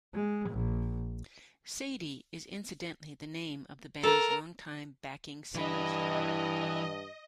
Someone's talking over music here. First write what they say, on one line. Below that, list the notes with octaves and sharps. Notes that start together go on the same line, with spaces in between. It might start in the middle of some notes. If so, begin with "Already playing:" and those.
Sadie is incidentally the name of the band's longtime backing singer's daughter.
G#3
A#1
A4 A#4
G2 E3 B4 D#5